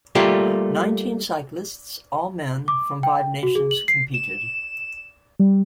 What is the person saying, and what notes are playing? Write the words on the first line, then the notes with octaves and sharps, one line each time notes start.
Nineteen cyclists, all men, from five nations competed.
G3 A3 A#3 F4 G4
D6
G5
F#4
G#4
F#7
C7
E7
G3